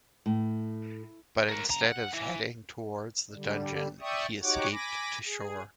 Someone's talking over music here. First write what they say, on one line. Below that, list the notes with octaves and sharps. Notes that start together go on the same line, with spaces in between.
But instead of heading towards the dungeon, he escaped to shore.
A2
A#4 F#5
C#3 A#5
F#5
E3
D3 G3
D5 E5 G5 C#6 D#6
D#4 F#4 G4 C#5 F#5 D6
G#5 B5 D6 A#6
G#4